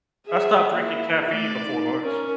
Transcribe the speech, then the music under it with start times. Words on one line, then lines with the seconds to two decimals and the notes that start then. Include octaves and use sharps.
I've stop drinking caffeine before lunch.
0.26 G#4 E5
0.73 A#3 E4
1.31 A3 D5
1.63 D#4
2.03 C#4 A#4